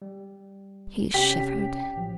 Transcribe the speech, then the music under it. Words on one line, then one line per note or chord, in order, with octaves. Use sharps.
He shivered.
G3
C3 C#4 G4 B6
A1 F3 F#3